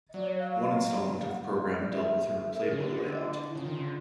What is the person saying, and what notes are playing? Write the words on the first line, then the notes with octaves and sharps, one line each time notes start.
One installment of the program dealt with her "Playboy" layout.
D#5
F#3 D5
C#5
F5
F5
F5
F#5
F5
F5
D#5
D5
E5
E5
A4
A#4
C#3
D3 G4
G#4
G4
F4
E4
C#3 F4
D#3
C#3
D3